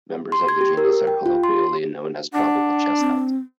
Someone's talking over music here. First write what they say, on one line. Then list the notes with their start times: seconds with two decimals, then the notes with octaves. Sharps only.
Members of the genus are colloquially known as tropical chestnuts.
0.32 C6
0.49 G#6
0.61 G4
0.77 A#4
1.07 G5
1.26 F4
1.44 C6
2.34 D4 F#5
2.99 C4